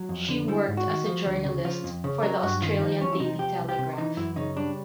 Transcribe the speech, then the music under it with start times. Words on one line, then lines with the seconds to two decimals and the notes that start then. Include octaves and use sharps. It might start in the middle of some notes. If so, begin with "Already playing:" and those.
She worked as a journalist for the Australian "Daily Telegraph".
Already playing: F#3
0.09 F2
0.29 D3
0.48 G3 E4
0.68 G#2
0.77 F#4
0.87 D#3
1.06 F3
1.26 D2
1.45 C#3
1.65 F3 F4
1.84 F2
2.04 C#3
2.22 F#3 A#4
2.43 G2 F#4
2.62 D#3 F4
2.81 F3 D#4
3.00 E2 C#4
3.13 E4
3.20 C3 D#4
3.39 F3 G4
3.59 C2
3.69 G4
3.78 C3
3.98 E3 D#4
4.17 F#2 E4
4.36 C#3 D#4
4.56 G3 D4